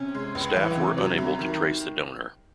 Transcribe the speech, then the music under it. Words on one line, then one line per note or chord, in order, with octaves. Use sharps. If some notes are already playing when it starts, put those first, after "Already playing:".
Staff were unable to trace the donor.
Already playing: C3 C#4
G#3
C#2
E3
C3 D#4
F#3
C#4
C2
A3
D#3